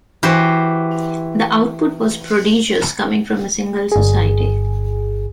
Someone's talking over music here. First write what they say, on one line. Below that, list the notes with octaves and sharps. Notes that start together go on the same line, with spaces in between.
The output was prodigious, coming from a single society.
E3 F#4 G4 C5
G1 G#4